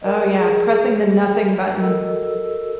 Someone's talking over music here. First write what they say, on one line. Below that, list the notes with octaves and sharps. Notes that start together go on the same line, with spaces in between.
Oh, yeah, pressing the nothing button.
A#4 D5 D#5
G#4
F#4 A4 A#4 D#5 E6